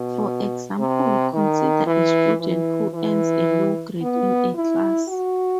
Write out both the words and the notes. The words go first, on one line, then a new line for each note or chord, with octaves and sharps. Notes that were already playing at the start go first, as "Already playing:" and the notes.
For example, consider a student who earns a low grade in a class.
Already playing: B2
C3
D#3
E3
E3
E3
B3
E4
F#4